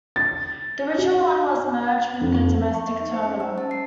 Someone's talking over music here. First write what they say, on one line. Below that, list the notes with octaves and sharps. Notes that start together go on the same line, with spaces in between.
The original one was merged with the domestic terminal.
A6
F#4
F2
C#6
E5
D#4
C5
C#4
E6
A5
C7